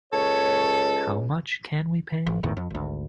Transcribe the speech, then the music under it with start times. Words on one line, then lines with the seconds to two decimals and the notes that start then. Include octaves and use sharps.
How much can we pay?
0.13 C#2 A4 C#5
2.27 G#1
2.43 G#1 E2 A2 D#3
2.57 F2
2.70 G#1 D2